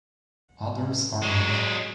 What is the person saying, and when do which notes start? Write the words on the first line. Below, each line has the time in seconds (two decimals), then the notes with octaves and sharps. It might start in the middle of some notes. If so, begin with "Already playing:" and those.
Others are not.
1.22 F#3 G#3